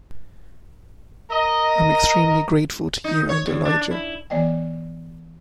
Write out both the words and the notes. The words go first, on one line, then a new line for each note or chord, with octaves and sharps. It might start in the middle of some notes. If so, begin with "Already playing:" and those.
I’m extremely grateful to you and Elijah.
A#4 D#5
D#4
C#5
E2
D4
E4
E3 B3 D5 D#5 G5